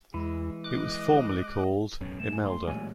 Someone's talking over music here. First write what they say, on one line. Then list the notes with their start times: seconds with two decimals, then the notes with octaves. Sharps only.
It was formerly called Imelda.
0.14 E2 E3 G#3 E4
0.64 G#3 D#5 D6 F#6
2.00 E1 B1 F#2 A2 C3 C#4
2.20 A3 A#3 E7
2.32 G#5
2.44 C6
2.67 A1 A#2 E3 F#3 G#3 G#5